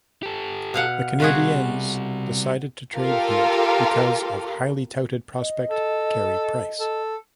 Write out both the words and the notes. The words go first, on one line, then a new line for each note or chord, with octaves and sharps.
The Canadiens decided to trade Huet because of highly touted prospect, Carey Price.
G4 A4
B2 F5 F#5
C3 G3 F4 F#4 G#4
F4 G4 A4 A#4 F5
D#5
A4
A4